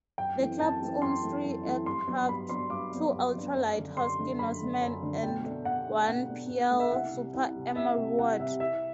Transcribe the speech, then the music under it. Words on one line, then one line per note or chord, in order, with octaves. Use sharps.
The club owns three aircraft, two ultra-light Husky Norseman and one Piel Super Emeraude.
F#2 G5
E3 A3 C4
F#2 A5
E3 A3 C4
F#2 C6
E3 A3 C4
F#2
E3 A3 C4
G2 C6
F#3 B3 D4
G2 B5
F#3 B3 D4 C6
G2 D6
F#3 B3 D4
G2
F#3 B3 D4
F#2
D3 A3 D4
F#2 C6
D3 A3 D4
F#2 B5
D3 A3 D4
F#2
D3 A3 D4
B2 G5
A3 D4
B2 F#5
A3 D4
B2 F#5
A3 D4
B2
A3 D4
E5
C2 F#5
C3 G3
C2
C3 G3
C2 E5
C3 G3
C2 F#5
C3 G3 E5
C2 E5